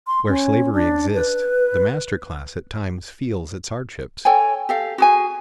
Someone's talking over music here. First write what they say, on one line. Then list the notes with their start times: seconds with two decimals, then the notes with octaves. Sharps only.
Where slavery exists the master class at times feels its hardships.
0.07 C6
0.28 C#4
0.73 D4
1.14 B4
4.25 A4 C#5 G5 G#5
4.69 G4 A4 F5
4.98 F#4 G#4 G#5